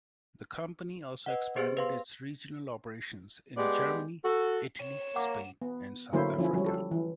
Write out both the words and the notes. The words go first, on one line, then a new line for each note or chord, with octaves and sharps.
The company also expanded its regional operations in Germany, Italy, Spain and South Africa.
B4 D#5 F#5
B3 G4 G#4 C5
B4 F5 C6
G#3 B3 G4 D5
F#4 A4
C#5 E7
A#3 F#5 D6
B3
D3 F#3 A#3 E4 C5
F3 C#4 E4
F#3 G3
A4
E3